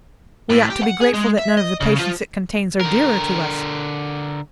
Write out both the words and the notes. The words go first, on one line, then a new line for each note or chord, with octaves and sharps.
"We ought to be grateful that none of the patients it contains are dearer to us."
A2
G4
F#5
G#4
G#3
E5
D#5
C#3
F3
D3 A#4